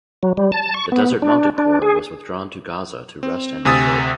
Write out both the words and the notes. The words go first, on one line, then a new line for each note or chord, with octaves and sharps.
The Desert Mounted Corps was withdrawn to Gaza to rest and refit.
F#3
G3
A5
C#6
B3
D4
D4
G#4
C4
D2 C3 G#5 D#6 E6 A6